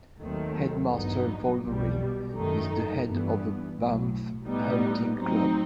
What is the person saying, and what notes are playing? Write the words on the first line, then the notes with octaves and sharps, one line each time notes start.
Headmaster Wolverine is the head of a "Bamf Hunting Club".
D#2 D#3 F#3 A3 C4
A1 G2 F#3 B3 D#4
B1 B2 G3
F#2 D#3 A3 D#4
G2 E3 B3
B1 A2 F#3
A2 G3 B3 D#4
A2 F#3 C4 D#4